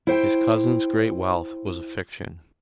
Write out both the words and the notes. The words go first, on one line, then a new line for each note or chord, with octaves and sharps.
His cousin's great wealth was a fiction.
E4 C5 G5